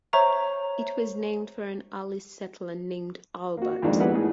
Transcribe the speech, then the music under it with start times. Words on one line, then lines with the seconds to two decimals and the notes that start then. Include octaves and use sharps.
It was named for an early settler named Albert.
0.13 C5 C#5 E5 A#5 C#6
3.57 A#3 F#4
3.82 F2 D#3 F3 G#3 A#3 D4
4.00 B3 E4 G4 G#4 B4 F#5
4.14 A2 G#4